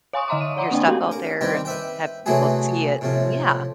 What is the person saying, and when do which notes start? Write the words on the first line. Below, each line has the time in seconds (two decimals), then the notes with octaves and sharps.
Your stuff out there and have we'll see it, and yeah.
0.13 C#5 F5 G#5 C6 C#6 D#6
0.28 D3 D#5 E5 A#5 C6 D6
0.41 D#7
0.57 C#5 D5 F#5 A#5 C6 D6
0.71 A#3 C4 D4 D5 G5 G#5
0.87 A3 F#4 G4 A4 F5
1.11 A#4
1.41 D#3 G3 C4 G4
1.65 B4 E5 G5
2.26 C3 E3 F#3 A3 F#4 G#4
3.01 A2 C3 F3